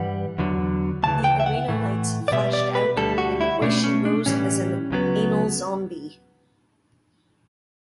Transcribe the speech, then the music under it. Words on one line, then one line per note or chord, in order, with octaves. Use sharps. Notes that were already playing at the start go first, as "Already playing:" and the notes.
The arena lights flashed out and Oishi rose as an "anal zombie".
Already playing: G2 E3 G3 F#5
E2 D3 F#3
D2 C#3 E3 A5
G5
E5
F#5
A2 E3 A3
D5
B2 G3 B3 E5
D5
B4
D2 D3 G3 A4
F#4
E4
B2 A3 C#4 D4
C#4
D4
A2 E3 G3 C#4
C#2 C#3 F#3 B3